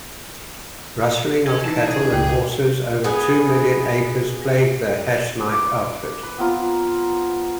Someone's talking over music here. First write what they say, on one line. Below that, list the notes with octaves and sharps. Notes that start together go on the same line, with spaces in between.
Rustling of cattle and horses over two million acres plagued the Hashknife Outfit.
C#5 G#5
E3 D#4 A5
G#4
C#2 G4
G#5
B3 G#4
B4 D6
B4
B3 C4 F4 A#4